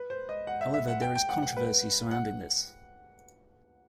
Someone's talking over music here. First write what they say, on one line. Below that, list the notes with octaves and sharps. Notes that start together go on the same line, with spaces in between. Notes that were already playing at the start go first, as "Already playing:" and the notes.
However, there is controversy surrounding this.
Already playing: B4
C5
D#5
F#5
E5
E5
F#5
G5
G5
F#5
F#5
B4
F#5